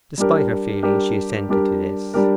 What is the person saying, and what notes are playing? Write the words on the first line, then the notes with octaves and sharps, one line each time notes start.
Despite her feeling she assented to this.
G3 D4 G4 A#4
G3 D4 G4 A#4
G3 D4 G4 A#4
G3 D4 G4 A#4